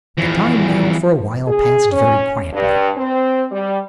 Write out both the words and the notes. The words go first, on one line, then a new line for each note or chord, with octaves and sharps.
The time now for a while passed very quietly.
E2 F3
G#4
C#4
G2
C4
G3